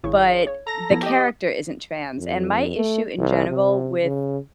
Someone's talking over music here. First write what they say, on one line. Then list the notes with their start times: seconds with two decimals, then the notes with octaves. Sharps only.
but the character isn't trans, and my issue in general with,
0.04 G#1 C#3 E4 C#6
0.47 C#5
0.67 A4 A#5 A#6
0.91 F3 B3 E4
1.03 G4 D#5
2.19 F2
2.76 A3
3.18 C2
3.48 C3
4.03 C#3